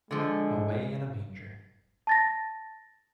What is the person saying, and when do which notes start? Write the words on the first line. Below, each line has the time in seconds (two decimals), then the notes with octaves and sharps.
Away in a Manger.
0.11 D3 F3 G#3
2.07 A5 A6 A#6